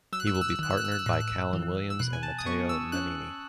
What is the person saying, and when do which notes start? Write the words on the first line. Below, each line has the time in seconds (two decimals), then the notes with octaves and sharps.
He will be partnered by Calan Williams and Matteo Nannini.
0.13 F#3 E6
0.20 F#6
0.27 E6
0.35 F#6
0.41 E6
0.48 F#6
0.56 E6
0.59 D#3 F#6
0.70 E6
0.77 F#6
0.85 E6
0.92 F#6
0.99 E6
1.06 A2 F#6
1.13 E6
1.20 F#6
1.28 E6
1.53 E3
1.90 E6
1.99 B2 F#6
2.13 G#5
2.23 A5
2.38 D#6
2.46 B3 C#6
2.69 E6
2.92 C#4 F#6